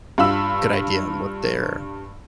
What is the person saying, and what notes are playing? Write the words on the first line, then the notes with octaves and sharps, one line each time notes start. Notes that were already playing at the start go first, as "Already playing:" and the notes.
good idea on what they're
G2 F4 B5 E6